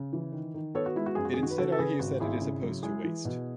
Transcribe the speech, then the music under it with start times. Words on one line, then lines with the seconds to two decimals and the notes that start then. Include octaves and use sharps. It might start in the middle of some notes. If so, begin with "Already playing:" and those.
It instead argues that it is opposed to waste.
Already playing: C#3
0.13 E3
0.32 D#3
0.54 D#3
0.75 B3 A4 C#5
0.86 F#4
0.96 G#3 E4
1.06 F#4
1.15 F#2 G#4
1.25 F#4
1.34 D#3 G#4
1.43 F#4
1.51 B4
1.58 C#3 F#4 A4
1.72 A4
1.79 C#3 G#4 B4
1.99 G#1 F#4
2.20 G#1 E4 G#4
2.42 C#3
2.63 F#3
2.83 G#3 E4 G#4
3.04 E3
3.25 B2